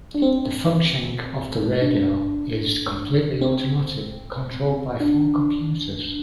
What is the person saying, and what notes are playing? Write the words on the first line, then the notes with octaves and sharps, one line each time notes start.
The functioning of the radar is completely automatic, controlled by four computers.
D4
C4
D4
C4
D4